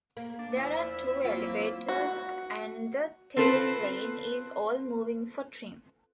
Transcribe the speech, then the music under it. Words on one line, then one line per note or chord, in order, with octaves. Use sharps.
There are two elevators and the tailplane is all-moving for trim.
A#3
D4
E2 F3 E4
F#3 A#3 C4 F4
F#4
C4 F4 A4 B4 C5